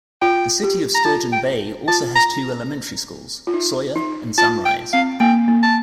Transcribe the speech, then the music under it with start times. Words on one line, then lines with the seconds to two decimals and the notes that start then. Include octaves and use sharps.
The city of Sturgeon Bay also has two elementary schools: Sawyer, and Sunrise.
0.21 F4 G5
0.63 G4
0.95 A#5
1.05 F4 A5
1.32 G5
1.88 F4 A5
2.16 A#5
3.47 F4
3.54 D#4
3.96 D#4
4.38 F4 A5
4.65 G5
4.93 C4 F5
5.20 A#3 G5
5.48 A#3
5.63 A5